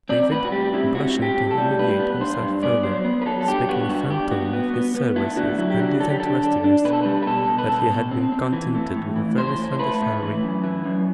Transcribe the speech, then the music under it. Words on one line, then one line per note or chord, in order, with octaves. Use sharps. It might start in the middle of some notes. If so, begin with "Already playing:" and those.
David, blushing to humiliate himself further, spake in a firm tone of his services and disinterestedness,--that he had been contented with a very slender salary.
C4 D5
A2 B4
F#4
G3 G4
C4 E4
C4 F#4
A2
G4
A2
A4
G3
G2 B4
B3
G2 C5
G2
B3 D5
F#3 C5
B3
B4
F#3 A4
A4
G2 G4
B3 F#4
G2 F#4
G2 G4
B3 F#4
B3
B3
B3
A3 E4
D3 F#4
F#3 E4
G4
D3 F#4
F#3 A4
G4
D3 A4
D4
D4
B2 B4
A4
G3 B4
B4
B2 A4
B2
B4
B2 A4
B2
C4
C4
E3
A3
A2
E3
A2 C5
A2
C5
A3 B4
A2
E3
F#2
E3
F#2